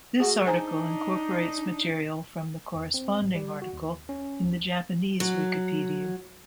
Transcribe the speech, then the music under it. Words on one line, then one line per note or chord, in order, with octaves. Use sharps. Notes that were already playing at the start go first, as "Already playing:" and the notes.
This article incorporates material from the corresponding article in the Japanese Wikipedia.
A3 F#4 G#4 F#5
D4 D#4 C5 G#5 A#5
E2
C4
A1
G3
F#4
D#2
C#4
D#2
F#3